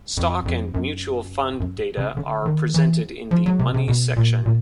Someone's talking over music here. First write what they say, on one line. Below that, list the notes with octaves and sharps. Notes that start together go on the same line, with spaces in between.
Stock and mutual fund data are presented in the Money section.
F2
F2
F#2
F#2
C#3
D3
D#3
E3
F3
F#3
C3
C3
B2
A#2
A#2